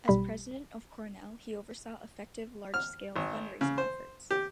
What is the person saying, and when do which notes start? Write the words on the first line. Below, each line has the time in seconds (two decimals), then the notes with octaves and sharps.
As president of Cornell, he oversaw effective large-scale fundraising efforts.
0.08 B1 G3 B5
2.74 F6
3.16 G#1
3.61 C#3
3.78 C5
4.31 G4